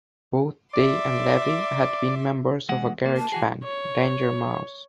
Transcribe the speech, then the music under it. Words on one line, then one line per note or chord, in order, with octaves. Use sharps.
Both Day and Levi had been members of a garage band, Danger Mouse.
D5 E5 C6 D6
E2 G#3 F#5
A#3
A5
E3 F#4 G#4
C#5